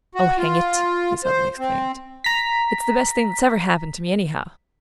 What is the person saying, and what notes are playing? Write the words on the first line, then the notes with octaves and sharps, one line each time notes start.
"Oh, hang it," he suddenly exclaimed, "it's the best thing that's ever happened to me, anyhow!"
F#4
F4
C5
C4
A#5 B6